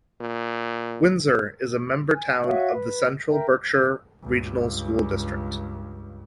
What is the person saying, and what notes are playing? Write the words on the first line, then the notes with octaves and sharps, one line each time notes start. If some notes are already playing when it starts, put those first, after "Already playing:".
Windsor is a member town of the Central Berkshire Regional School District.
A#2
G#5
F#4 C#5 E5 F5
B4
A#4 E5 G5
C#2 G2